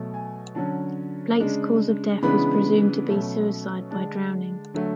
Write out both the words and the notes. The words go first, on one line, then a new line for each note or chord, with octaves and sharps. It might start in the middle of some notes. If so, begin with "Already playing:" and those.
Blake's cause of death was presumed to be suicide by drowning.
Already playing: B2 F#3 A3
G#5
D3 F#3 C#4 A5
C#3 G#3 D4
C#3 E3 G#3 B3 D4 B5
B2 F#3 A3 C#4
D3 G#3 D4 A5
D3 F#3 A3